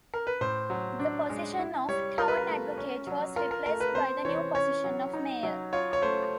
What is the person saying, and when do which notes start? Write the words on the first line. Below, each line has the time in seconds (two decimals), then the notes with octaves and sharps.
The position of 'town advocate' was replaced by the new position of mayor.
0.14 A#4
0.27 B4
0.41 A2 C5
0.70 F#3
1.00 D4
1.30 G#3
1.59 E4
1.88 G3 C#5
2.18 F4 A#4
2.28 B4
2.37 A#4
2.48 A3
2.78 C#4
3.07 F#3
3.36 F4 A#4
3.51 A#4
3.66 A3 A#4
3.80 B4
3.95 C4 C5
4.25 E3 C#5
4.55 C#4 C#5
4.84 F#3
5.14 D#4
5.43 F#3
5.73 F4 C#5
5.93 C#5
6.02 A3 C5